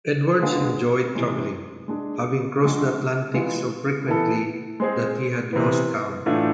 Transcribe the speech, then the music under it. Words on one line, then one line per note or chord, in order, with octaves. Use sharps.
Edwards enjoyed traveling, having crossed the Atlantic so frequently that he had lost count.
D3 G#3 B3 F4 G#4
C3 E3 G#3
G#3 D4 G#4
D3 F3 G#3
E3 G#3 B3 F4
E3 B3 E4 A4
G#3 C4 G#4
C3 E3 B3
A2 E3 A3 D4 F4